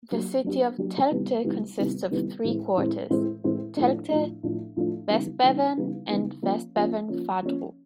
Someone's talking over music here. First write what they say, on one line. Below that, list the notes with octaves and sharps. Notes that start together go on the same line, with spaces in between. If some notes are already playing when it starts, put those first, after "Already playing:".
The city of Telgte consists of three quarters: Telgte, Westbevern and Westbevern Vadrup.
F#3 A#3 D4 G4
F#3 A#3 D4 G4
F#3 A#3 D4 G4
C3 D#3 G3 B3 E4
C3 D#3 G3 B3 E4
C3 D#3 G3 B3 E4
C3 D#3 G3 B3 E4
A2 E3 G#3 C4 E4
A2 E3 G#3 C4 E4
A2 E3 G#3 C4 E4
A2 E3 G#3 C4 E4
A2 F3 A3 D4
A2 F3 A3 D4
A2 F3 A3 D4
A2 F3 A3 D4
C#3 E3 G3 B3 D#4
C#3 E3 G3 B3 D#4
C#3 E3 G3 B3 D#4
C#3 E3 G3 B3 D#4
F3 A#3 C#4
F3 A#3 C#4
F3 A#3 C#4
F3 A#3 C#4